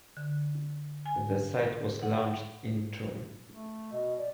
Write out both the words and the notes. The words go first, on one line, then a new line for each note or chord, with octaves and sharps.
The site was launched in June.
D3
G#5
F#5
A3
B2 D#5
D5